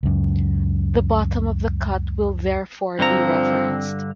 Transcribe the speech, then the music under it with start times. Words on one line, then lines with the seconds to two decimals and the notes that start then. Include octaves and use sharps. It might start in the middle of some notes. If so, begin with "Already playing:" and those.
The bottom of the cut will therefore be referenced.
0.03 C#2 F#2
2.99 G2 D3 F3 C4 A#5